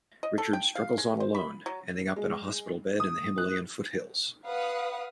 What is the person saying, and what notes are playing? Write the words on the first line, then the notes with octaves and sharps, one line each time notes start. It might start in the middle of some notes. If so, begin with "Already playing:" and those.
Richard struggles on alone, ending up in a hospital bed in the Himalayan foothills.
D#5
A4
G5
F5
G#3
C5
B5
F#3
G#3
D#6
F#6
B4 F5 F#5 D#6